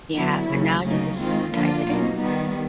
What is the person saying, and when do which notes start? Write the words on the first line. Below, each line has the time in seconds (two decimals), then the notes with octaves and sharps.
Yeah, and now you just type it in.
0.15 D3 F#3 B3 E4
0.50 D#2 C#3 F#3
0.83 D2 C#3 F#3 A#3 D#4
1.18 D#3 G#3 C4 F4
1.52 D3 F3 A#3 D4 F4
1.87 B2 F#3 A#3 D#4
2.21 D#3 G3 B3